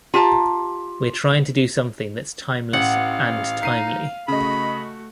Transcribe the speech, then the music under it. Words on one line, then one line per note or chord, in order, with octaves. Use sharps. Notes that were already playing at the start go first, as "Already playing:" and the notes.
We're trying to do something that's timeless and timely.
F4 G4 A5 A#5
A1 F5 F#5
D#4 C7 D#7
C#3 A3 F#4 D#5 B5